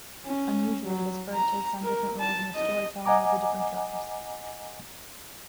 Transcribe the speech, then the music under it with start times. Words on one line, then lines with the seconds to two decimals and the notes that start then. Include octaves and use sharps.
Unusually, this bird takes on different roles in the storytelling of the different tribes.
0.24 C#4
0.84 F#3
1.34 A#5
1.83 A#4
2.19 A5
2.55 D#5
3.06 D#5 F#5 G#5 A#5 D6